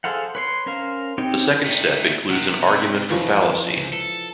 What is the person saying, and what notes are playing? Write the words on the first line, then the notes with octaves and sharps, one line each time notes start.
The second step includes an argument from fallacy.
G#4 A4 C5 F5 F#5
B4 C#5 C6
C#4 A#4 C5 F5
C4 D#4 G4 C#5 G5
A3 D#4 G5
C3 F#4
F2 E3 F3 C#6
C#2
A4